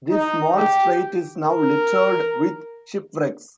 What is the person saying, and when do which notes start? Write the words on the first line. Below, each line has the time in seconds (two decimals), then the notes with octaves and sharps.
This small strait is now littered with shipwrecks.
0.10 D#4
0.56 G4
1.45 A#4